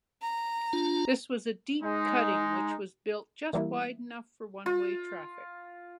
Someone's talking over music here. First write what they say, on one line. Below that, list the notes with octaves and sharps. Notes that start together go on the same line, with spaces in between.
This was a deep cutting which was built just wide enough for one-way traffic.
A#5
D4 F4
G#3 D#4
E3 G3 A#3 E4
F4